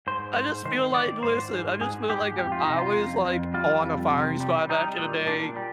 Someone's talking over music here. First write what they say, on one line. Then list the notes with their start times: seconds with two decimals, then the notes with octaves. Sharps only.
I just feel like listen, I just feel like if I was, like, on a firing squad back in the day,
0.07 G#2 C5
0.36 G#2 C5
0.65 D#3 C5
0.94 D#3 D5
1.23 G#2 C5
1.52 G#2
1.81 G#2 G#4
2.10 G#2 G4
2.38 F2 G4
2.52 F4
2.65 C3 D#4
2.78 F4
2.97 F2
3.25 F2
3.54 G3 F4
3.83 F2
4.12 C3
4.40 G3
4.69 G3 D#4
4.99 A#2
5.27 A#2 D4
5.56 G3